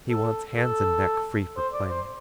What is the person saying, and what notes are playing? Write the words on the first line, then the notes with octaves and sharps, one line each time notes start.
He wants hands and neck free for climbing.
A4
A4
C5
D5
C5